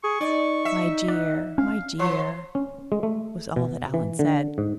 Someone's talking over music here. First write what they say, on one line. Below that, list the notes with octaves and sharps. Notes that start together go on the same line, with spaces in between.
"My dear, my dear!" was all that Allan said.
G#4 C#6
D#4 D5
E5
D5 F#5
C#4 F5
F3 C#5 C6
C#4
G#3
A3
B2
E3
D3
G#2